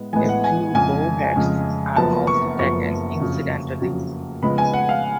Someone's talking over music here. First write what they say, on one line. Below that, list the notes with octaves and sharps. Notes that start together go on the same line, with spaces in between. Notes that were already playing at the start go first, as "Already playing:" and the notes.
A few bowheads are also taken incidentally.
Already playing: A2 G#3 B3
A1 A2 G#3 B3 G#5
F#5
G#5
F2 C#3 G#3 G#5
F2 C#3 G#3
F#1 F#2 F3 B3 A5
C#6
F#1 F#2 F3 B3 C#6
F2 C#3 F#3
F2 C#3 F#3
C#2 C#3 F3 G#3 B3 B5
G#5
F#5
F5